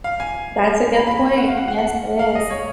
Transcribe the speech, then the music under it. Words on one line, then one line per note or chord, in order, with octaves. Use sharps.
That's a good point. Yes, it is.
F5
G#5
B5
B5
B5
F#5
F5
F#5
F#5
F#5
F5
D#5
C#5